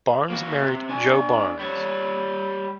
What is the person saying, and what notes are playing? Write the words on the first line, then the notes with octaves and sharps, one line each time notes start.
Barnes married Joe Barnes.
A#3 F#4
C3
D4 G#5
G3 C#5